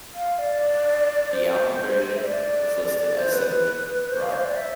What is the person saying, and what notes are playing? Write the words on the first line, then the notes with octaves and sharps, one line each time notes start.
The album version was listed as simply "Run".
F5
D5
C5
E5
D5
C5
B4
B4
C5
F5
C5
D5
E5